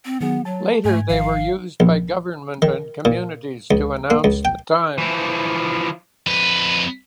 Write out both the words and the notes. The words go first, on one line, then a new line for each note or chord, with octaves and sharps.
Later they were used by government and communities to announce the time.
C4
D#3 F#3 B3 G#4
F#3 A5
G#2 A3 G#5 G#6
G#1 D#3 F3 F5
A#1
D#3
A#2
C#2
A#3
C#2
G5
E3 F3
F2 B4